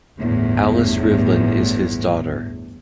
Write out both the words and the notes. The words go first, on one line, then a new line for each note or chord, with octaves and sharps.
Alice Rivlin is his daughter.
G1 E2 A2